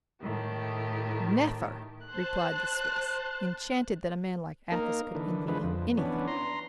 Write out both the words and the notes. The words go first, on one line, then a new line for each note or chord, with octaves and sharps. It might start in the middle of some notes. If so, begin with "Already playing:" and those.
"Neffer," replied the Swiss, enchanted that a man like Athos could envy him anything.
A2 D#3 G4
C5 A5 F#6
A#3 D#4 A#4
D3 E3
D3 F3 G#3 B4
F2
E3 B3 C#4 D4
A#5 C6